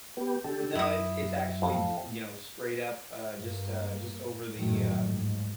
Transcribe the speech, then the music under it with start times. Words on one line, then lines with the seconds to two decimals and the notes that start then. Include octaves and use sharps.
No, it's it's actually, y you know, straight up, uh, just, uh, just over the, uh,
0.17 B3 G4
0.44 D3 G4 A4
0.75 F#2 E4 D#6
1.62 F2
3.31 G2 A#3
4.55 A#1 F#2 A2 D#3 F#3 A3
5.03 D#2 G#2